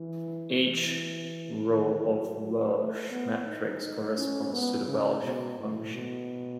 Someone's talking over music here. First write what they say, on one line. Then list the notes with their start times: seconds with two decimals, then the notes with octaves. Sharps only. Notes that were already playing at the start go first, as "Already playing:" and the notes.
Each row of a Walsh matrix corresponds to a Walsh function.
Already playing: E3
0.63 E3
1.69 D#3
2.04 F#3
2.40 F#3
2.75 A3
3.11 B3
3.46 D#4
3.82 D#4
4.17 C#4
4.53 B3
4.88 C#3
5.24 B2
5.60 A2
5.95 B2